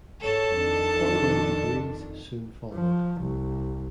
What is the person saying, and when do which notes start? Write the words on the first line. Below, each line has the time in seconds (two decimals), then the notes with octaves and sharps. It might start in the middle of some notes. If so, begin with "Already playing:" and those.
On-line degrees soon followed.
0.20 G#2 A4 C#5 A5
0.56 F2 D#3 D4
2.73 F3
3.21 C2